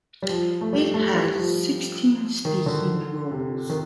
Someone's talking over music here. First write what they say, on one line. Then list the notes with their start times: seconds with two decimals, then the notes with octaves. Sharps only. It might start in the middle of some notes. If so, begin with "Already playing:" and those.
It has sixteen speaking roles.
0.22 G3
0.29 F3
0.61 A3
0.73 G3
0.94 A3
1.16 G3
1.37 F3
2.45 D#3
2.66 D3
3.31 C3
3.70 D#3